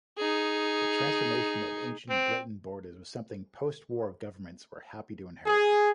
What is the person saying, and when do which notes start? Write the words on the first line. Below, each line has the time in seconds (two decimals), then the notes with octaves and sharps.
The transformation of ancient Breton borders was something post-war governments were happy to inherit.
0.18 D#4 G#4
2.10 C4
5.47 G#4